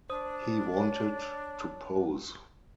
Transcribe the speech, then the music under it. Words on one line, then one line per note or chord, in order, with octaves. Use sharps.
He wanted to pose.
D4 C5 D#6
C#5